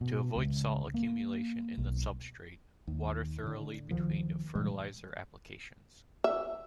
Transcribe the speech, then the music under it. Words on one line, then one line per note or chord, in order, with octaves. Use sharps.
To avoid salt accumulation in the substrate, water thoroughly between fertilizer applications.
B2
C#2
A#3
B1
D#2
A2 D3
D2 D#3 F3
A#2 E3 G3 G#3
E5